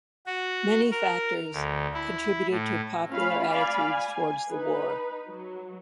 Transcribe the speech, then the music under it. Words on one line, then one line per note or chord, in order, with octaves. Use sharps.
Many factors contributed to popular attitudes towards the war.
F#4
A#4
D2
E4
A2
A3 C#4 F4 F5 B5
D5 F5 G#5 B5
G#5
D#4 B4
F#3